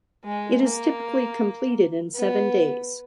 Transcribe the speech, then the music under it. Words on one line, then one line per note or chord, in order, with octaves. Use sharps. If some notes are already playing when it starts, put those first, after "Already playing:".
It is typically completed in seven days.
G#3
A#3
B3